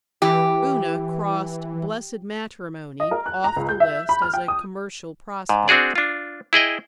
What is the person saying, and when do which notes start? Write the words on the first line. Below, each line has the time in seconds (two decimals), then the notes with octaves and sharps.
Una crossed blessed matrimony off the list as a commercial prospect.
0.22 E3 G4
3.00 D#5
3.11 A#4
3.26 F#6
3.44 A#5
3.56 C#2
3.69 G6
3.80 E5
4.09 B5
4.22 F6
4.34 G5
4.48 D#6
5.49 G#2
5.68 C4 D4 F#4 G#4 D5
5.95 D4 F4
6.53 E4 G#4 D#5 G5